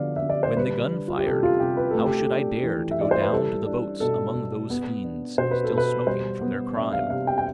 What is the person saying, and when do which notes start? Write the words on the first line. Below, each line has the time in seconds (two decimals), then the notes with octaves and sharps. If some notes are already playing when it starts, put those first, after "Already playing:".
When the gun fired, how should I dare to go down to the boats among those fiends, still smoking from their crime?
Already playing: D3 F3 B3 D5 F5
0.16 E5
0.22 D3
0.30 D5
0.43 C5
0.57 G3 B4
0.91 D4
1.08 F4
1.17 G4
1.26 C3 A4
1.43 F4
1.60 C3 G4
1.77 B4
1.91 A3 A4
2.05 G4
2.19 A4
2.30 D4
2.63 E3
2.91 E5
2.97 E3 D5
3.11 C5
3.22 B4
3.32 G3 A4
3.66 D4
4.00 B2 A4
4.35 B2
4.70 B3
5.04 D4
5.38 B2 C5
5.51 B4
5.64 A4
5.72 B2
5.78 B4
6.07 G3 C5
6.42 B3
6.76 D4 E5
6.93 F5
7.10 C3 F5
7.27 G5
7.38 G5